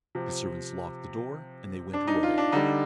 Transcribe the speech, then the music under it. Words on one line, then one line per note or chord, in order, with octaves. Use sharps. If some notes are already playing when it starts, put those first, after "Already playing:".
The servants locked the door, and they went away.
C3 F3
D4
D#4
F4
D4
D3 G3 D#4